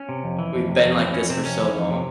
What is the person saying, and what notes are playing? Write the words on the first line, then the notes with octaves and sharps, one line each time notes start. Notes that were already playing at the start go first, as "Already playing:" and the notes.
We've been like this for so long.
Already playing: C#4
C3
F2
E3
F2
C3
F2
E3 C4
F2 C#4
C3 C4
F2 C#4
E3
F2
C3